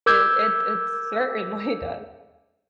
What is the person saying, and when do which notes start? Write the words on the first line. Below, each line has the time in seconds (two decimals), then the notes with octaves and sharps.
It it it certainly does.
0.06 A#4 D6 E6 G6 G#6